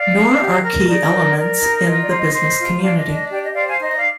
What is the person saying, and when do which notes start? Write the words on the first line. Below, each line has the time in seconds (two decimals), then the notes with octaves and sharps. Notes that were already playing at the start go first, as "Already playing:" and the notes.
Nor are key elements in the business community.
Already playing: D5 F5
0.16 D4
0.41 G4
0.64 A#4
0.89 D#4 D5
1.13 A#4
1.38 A#4
1.61 D#4
1.86 F4 D#5
2.01 D5
2.10 C5
2.17 D#5
2.34 C5
2.59 F4
2.82 D4 D5 F5
2.98 D#5
3.07 D4
3.14 D#5
3.30 G4 D5
3.43 D#5
3.54 C5 D5 F5
3.67 F5 G#5
3.79 D#4 D#5
3.91 D#5
3.95 D5 F5